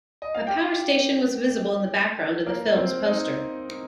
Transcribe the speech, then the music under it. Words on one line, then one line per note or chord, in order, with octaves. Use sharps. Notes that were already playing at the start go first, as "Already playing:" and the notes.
A power station was visible in the background of the film's poster.
D#5
F5
G4 G5
A#3 A#4
C4 C5
D#4 D#5